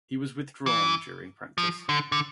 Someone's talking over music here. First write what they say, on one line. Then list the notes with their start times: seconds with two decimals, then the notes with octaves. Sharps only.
He was withdrawn during practice.
0.66 E3
1.58 F3
1.89 D3
2.12 D3